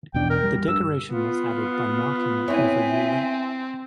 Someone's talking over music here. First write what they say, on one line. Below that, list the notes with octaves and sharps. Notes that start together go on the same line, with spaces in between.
The decoration was added by marking it with a roulette.
E2 B2 D4 G5
A#4
G3
G2 E6
B3 F4
C4 E4 C#5 E5 G#5